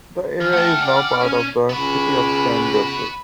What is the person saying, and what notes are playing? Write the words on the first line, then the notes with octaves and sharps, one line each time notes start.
The area is now part of the city of San Jose.
E3 F6
A3 A4 F#5 G5
D5
C#4
C#2 B3 F#4 B5